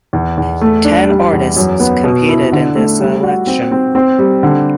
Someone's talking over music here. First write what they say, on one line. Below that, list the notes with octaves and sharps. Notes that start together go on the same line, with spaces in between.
Ten artists competed in the selection.
E2
E2
A3
D4
G3
E2
F#2
B3
B2
E4
D3
A3
G3
F#4
C4
C4
C4
G3
D3